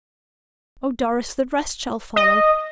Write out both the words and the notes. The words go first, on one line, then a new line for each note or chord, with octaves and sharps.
Oh, Doris, the rest shall follow.
D#5